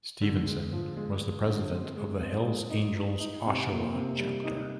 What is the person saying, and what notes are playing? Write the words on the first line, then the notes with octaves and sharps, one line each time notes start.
Stephenson was the president of the Hells Angels Oshawa chapter.
D3
G#3
F3
G#3
G#3
D3
C4
G#3
C4
G#3
D#4
D#4
D#4
C3
A#3
C3
G3
D#4